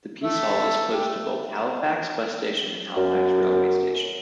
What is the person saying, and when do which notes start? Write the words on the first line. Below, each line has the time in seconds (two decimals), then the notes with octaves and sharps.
The Piece Hall is close to both Halifax bus station and Halifax railway station.
0.24 A3 E5
0.93 G4
2.96 F#2